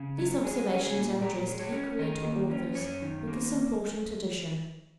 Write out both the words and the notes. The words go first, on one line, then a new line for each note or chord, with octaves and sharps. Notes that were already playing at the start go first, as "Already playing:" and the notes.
These observations are addressed equally to authors, with this important addition.
Already playing: C#3
F#3
G#3 G#4
C#4
G#4
A#2
A#2 A#4
G#3
C#5
C#4
D#3 D#5
A#3
C#4
F#2 C#5
D#3
A#3